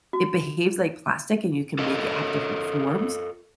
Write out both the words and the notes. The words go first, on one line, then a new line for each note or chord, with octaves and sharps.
it behaves like plastic, and you can make it have different forms,
F#4
F4 A4 A#4 D#5